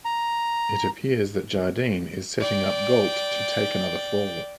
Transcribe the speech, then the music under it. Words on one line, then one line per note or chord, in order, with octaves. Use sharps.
It appears that Jardine is setting up Galt to take another fall.
A#5
D5 G5